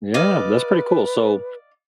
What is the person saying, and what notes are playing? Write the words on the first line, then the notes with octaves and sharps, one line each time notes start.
Yeah, that's pretty cool. So
B4 D5 D#5 F5